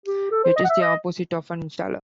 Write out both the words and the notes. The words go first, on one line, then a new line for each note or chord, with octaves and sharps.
It is the opposite of an installer.
G4
A4
C5
D#5
F#5
E5
D#5